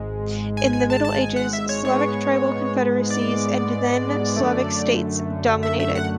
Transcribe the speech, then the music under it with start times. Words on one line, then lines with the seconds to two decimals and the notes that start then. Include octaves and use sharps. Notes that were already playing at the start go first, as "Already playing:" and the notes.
In the Middle Ages, Slavic tribal confederacies, and then Slavic states, dominated.
Already playing: G#1 G#2 G#3
0.57 G#5
0.73 G#5
0.90 A5
1.05 A5
1.20 G#5
1.36 F#5
1.53 E5
1.69 C#5
1.84 G#2 G#3 B3 C#5
3.10 D5
4.36 F#2 D3 A3
5.63 E5
5.80 E5
5.95 F#5